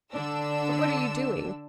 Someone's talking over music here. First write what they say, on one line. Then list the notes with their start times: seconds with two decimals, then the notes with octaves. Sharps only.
But what are you doing?
0.13 D3 D4 E6